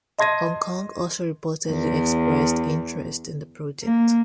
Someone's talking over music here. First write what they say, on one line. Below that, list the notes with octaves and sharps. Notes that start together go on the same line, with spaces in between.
Hong Kong also reportedly expressed interest in the project.
D#5 A5 C6 G#6 A#6 D#7
E2
A#3